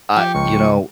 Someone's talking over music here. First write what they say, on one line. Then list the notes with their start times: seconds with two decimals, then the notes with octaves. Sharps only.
Ah, you know,
0.17 F3 G4 G5
0.35 C#2 C#6